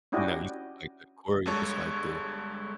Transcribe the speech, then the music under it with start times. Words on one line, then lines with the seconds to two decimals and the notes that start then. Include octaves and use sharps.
you know, you said, like, the aquarium, it's, like, the
0.12 C#4 D4 E4 F#4 G4 D#5
1.46 G1 D3 G3 G#3 A4 C#5